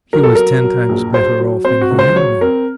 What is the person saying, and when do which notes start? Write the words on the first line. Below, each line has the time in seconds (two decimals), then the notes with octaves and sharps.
He was ten times better off than he had been.
0.13 F#3 A#4
0.23 A4
0.35 F#3 A#4
0.63 F#3
0.89 A#1
1.14 F#3 C5
1.40 F#3
1.65 C4 C5
1.81 F#4
1.90 C#2
1.99 C5
2.16 F#3 C#5
2.41 C4 A#4